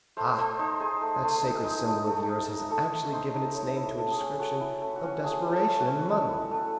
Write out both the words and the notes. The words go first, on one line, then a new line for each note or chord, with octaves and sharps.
Pah! that sacred symbol of yours has actually given its name to a description of desperation and muddle.
A3 C5
A3 C5
D#4 C5
D#4 G#4
A3
A3
D#4
D#4
A3
A3
D#4
D#4
A3 A4
A3
D#4 C5
D#4
A3 C#5
E4
A3
G#4
C#4
A3 F#4
E4
A3
F#4
C#4
A3 G#4
E4
A4
A3
F#4
C#4
A3
E4
A3